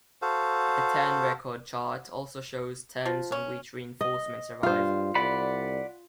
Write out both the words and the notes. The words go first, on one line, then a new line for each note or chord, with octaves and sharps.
The turn record chart also shows turns on which reinforcements arrive.
F#4 A4 C5 F5
F3
C#4
D#5
G2 F4 C5
C2 D5 F#5 B5